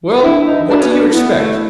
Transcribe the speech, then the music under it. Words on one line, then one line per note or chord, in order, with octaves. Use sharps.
'Well, what do you expect?
D4 E4
D#4
D4 F#4 B4
C#4
D4
B3 E4
A3